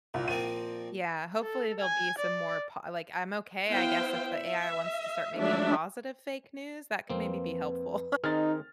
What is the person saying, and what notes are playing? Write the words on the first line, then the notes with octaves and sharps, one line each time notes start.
Yeah, hopefully, there'll be some more po like, I'm okay, I guess if the AI wants to start making positive fake news, that could maybe be helpful.
C2 A#2
A#2 F3 C4 D#7
A4
G#5
D5
B3 E4 C5 F5 G5
E5
F3 F#3 G#3 A3 D4 E5
F2 A#3 C4 B4
D#3 C4 D#4 G#4 F6 A6